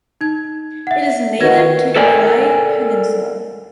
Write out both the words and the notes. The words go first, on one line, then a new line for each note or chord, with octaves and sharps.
It is native to the Malay Peninsula.
D#4 G#6
E5 F#5
D#3 F#4 B4 G#6 A#6
A4 A#4 D5 G5 G#5